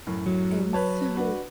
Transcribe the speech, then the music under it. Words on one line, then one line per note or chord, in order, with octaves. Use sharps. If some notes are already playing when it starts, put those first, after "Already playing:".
And so
F#2 A2
F#3
B4 C#5 A5
D4 F#4 B4